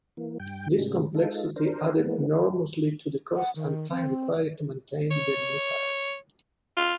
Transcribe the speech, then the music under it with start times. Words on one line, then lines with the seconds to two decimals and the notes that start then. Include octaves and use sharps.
This complexity added enormously to the cost and time required to maintain the missiles.
0.17 E3 A#3
0.40 G2 G5
0.78 A2 C#3 G3 G#3
1.15 G#3 D#4 F4 A4
1.56 D4 A#4 C5
2.00 E3 G#3 A#3 B3
3.36 F#5
3.56 D#3
3.91 C4
5.11 C#5
6.77 F4